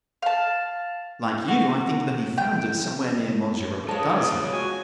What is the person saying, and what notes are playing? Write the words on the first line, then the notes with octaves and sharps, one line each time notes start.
Like you, I think that he found it somewhere near Monsieur Robert Darzac.
F5 A5
F#4
G5
G#3 F4 C#5 A5 D#6
F#4 G#5